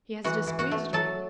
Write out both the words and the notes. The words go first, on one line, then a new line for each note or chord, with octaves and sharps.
"He has displeased me."
E3 F#4 F#5
E3
F#4 F#5
A3
F#3 A4 A5